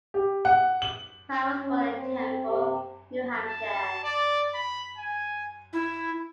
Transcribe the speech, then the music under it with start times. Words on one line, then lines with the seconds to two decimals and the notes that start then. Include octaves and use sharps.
Pratt was born in Temple, New Hampshire.
0.14 G4
0.45 F#5
0.82 F#7
1.62 C#4
1.92 C4
2.47 C3
3.45 A5
4.04 D5
4.54 B5
4.97 G#5
5.73 E4